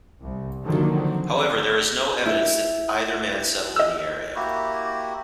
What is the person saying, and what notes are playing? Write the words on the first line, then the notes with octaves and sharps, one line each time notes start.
However, there is no evidence that either man settled in the area.
C2
D3 D#3 F3 F#3 A#3
C4
E4
D#5 E6
A#3 E4 F#4 G4